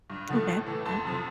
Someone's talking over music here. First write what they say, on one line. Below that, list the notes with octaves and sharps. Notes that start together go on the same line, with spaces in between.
Okay, yep.
G2
D3 F3 A3
A2
E3 A3
F2 A5 C6
C3 F3